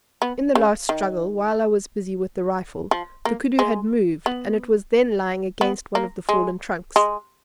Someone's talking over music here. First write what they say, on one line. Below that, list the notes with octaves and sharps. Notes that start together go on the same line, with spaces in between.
In the last struggle, while I was busy with the rifle, the koodoo had moved, and it was then lying against one of the fallen trunks.
B3
C#3
D#3
F3
A#3
G#3
B3
B3
A#3
G#3
G#3